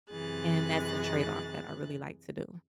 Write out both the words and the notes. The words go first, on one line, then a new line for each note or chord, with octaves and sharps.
and that's a trade off that I really like to do.
F#2 C3 E3 G#4 F#6 A6